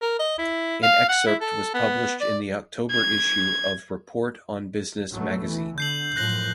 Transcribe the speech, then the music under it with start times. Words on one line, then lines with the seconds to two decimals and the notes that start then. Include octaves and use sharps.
An excerpt was published in the October issue of "Report on Business Magazine".
0.02 A#4
0.19 D#5
0.38 E4
0.83 F5
1.09 F#5
1.27 E4
1.41 A4
1.74 B3
2.21 D5
2.91 G#6
5.12 B2 F#3 A3
5.45 E3
5.78 D3 G6 C7 F#7
6.16 F#2 A2 F3 F#6 A#6 F#7